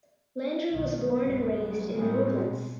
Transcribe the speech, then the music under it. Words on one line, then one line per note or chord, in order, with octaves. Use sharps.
Landry was born and raised in New Orleans.
B1 D#3
B1 G2 C#3 F#3 G#3 B3
A2 F3 G3 G#3 C4 C#4
B2